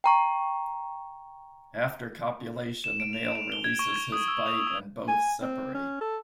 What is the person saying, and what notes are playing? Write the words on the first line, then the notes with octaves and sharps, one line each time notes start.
After copulation, the male releases his bite and both separate.
G5 A#5 C#6
E7
D7
F7
E7
G7
G#6
C#6
G#6
D#6
E6
F7
D#6
G#5
C4
C#4
A4